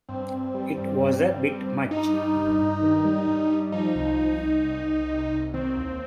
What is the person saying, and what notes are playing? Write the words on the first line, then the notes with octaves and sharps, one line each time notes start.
It was a bit much.
G2 C4
G2
G3
G2
G2
G3
G2
G2
G2 D#4
G3
G2
G2
D#3
G3
G2
G3
F3 D#4
C2
C2
C2
C2
C2
C3
C2
D#3 C4
D#2